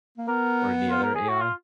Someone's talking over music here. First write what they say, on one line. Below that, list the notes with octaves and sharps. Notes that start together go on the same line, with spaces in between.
or any other AI?
A#3
B3 A#4
F4
A#4
G#4
F#4
F4